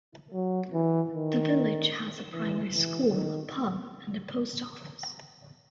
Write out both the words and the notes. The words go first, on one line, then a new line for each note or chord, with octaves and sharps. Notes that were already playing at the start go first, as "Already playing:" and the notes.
The village has a primary school, a pub and a post office.
F#3
E3
D#3
E3
E3
D#3